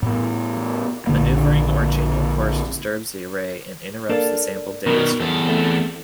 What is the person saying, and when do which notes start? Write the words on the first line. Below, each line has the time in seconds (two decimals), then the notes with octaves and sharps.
Maneuvering, or changing course, disturbs the array and interrupts the sampled data stream.
0.02 A2 B3
1.07 A#1 D3 A#3
4.10 A#3 D4 A4
4.86 B2 D#3 A#4
5.20 E2 A4
5.46 A3 C4